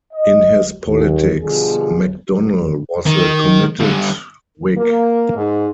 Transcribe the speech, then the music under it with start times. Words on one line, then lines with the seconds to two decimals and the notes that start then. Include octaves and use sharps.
In his politics McDonnell was a committed Whig.
0.14 D#5
0.86 D#2
1.42 B2 D3 F3 G3 G#4
3.06 D#3
3.80 G2 D3
4.78 A#3
5.36 G#2